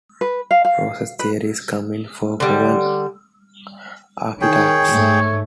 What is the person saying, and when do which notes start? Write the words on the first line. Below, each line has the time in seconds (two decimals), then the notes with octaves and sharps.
Process theories come in four common archetypes.
0.21 B4
0.51 F5
0.65 F5
1.19 B4
2.40 D3 G3
4.41 D#3 G#4 C#5 G5
4.90 G#2 A3